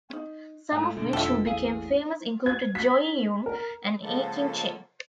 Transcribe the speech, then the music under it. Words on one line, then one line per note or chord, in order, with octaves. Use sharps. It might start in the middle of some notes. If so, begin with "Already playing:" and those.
Some of which who became famous included Joey Yung and Ekin Cheng.
C#4 D#4
G#2 A3 G#5
F#2 B2 D3 A3
F1 F2 E4 F4 A4 E5 G5
A1 E2 G#4 F5
G#6
B6
A#4
C#3 F3 G#3 A#3 B3 A4